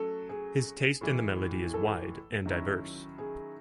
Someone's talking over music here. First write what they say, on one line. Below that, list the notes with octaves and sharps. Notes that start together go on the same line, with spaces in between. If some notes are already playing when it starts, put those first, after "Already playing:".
His taste in the melody is wide and diverse.
Already playing: F#3 A3 C#4 A4
G#4
A2 E3 G#3
A4
D#3 F#3 C#4 E4
G#4